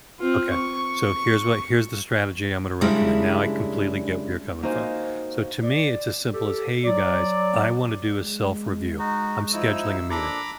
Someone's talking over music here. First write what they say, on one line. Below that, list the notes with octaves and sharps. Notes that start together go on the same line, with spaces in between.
Okay. So here's what here's the strategy I'm gonna recommend. Now I completely get where you're coming from. So to me, it's as simple as, "Hey, you guys. I wanna do a self-review. I'm scheduling a meeting."
C4 F4
C#6
F#2 C#3 G3 G#3 D4 E4
A#3 D#4 F#4 C5 F5 G#5
D5
G4 A4
F#3 D5
G#3
D#4 F#4
F3 D#4 E4 E6
A#1 D4 A4 A#5 B5 D6